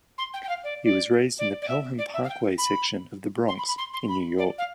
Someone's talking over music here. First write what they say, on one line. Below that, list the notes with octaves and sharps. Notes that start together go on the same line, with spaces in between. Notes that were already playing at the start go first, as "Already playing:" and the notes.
He was raised in the Pelham Parkway section of the Bronx, in New York.
C6
G5
G5
F5
D5
D5
D5
D5
E5
D5
E5
F5
G5
B5
C6
B5
B5
C6
C6
B5
D5
F5